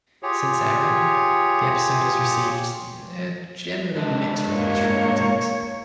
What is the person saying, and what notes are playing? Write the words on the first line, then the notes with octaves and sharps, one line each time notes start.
Since airing, the episode has received generally mixed reviews from critics.
F4 G4 G#4 C#5
G#3 D4 B4
A#3 C#5